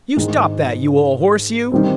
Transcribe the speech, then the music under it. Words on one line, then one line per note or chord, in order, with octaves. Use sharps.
"You stop that, you ole horse, you!"
G#2 D#3 G#3
D#3 G3 C4